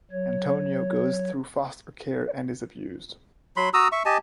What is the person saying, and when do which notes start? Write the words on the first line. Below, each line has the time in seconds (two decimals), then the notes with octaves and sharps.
Antonio goes through foster care and is abused.
0.11 F#3 C#5
3.57 F#3 B5 C6
3.74 F#4 A#5 D#6 E6
3.92 E5 C#6
4.05 G4 D#5 G#5 A5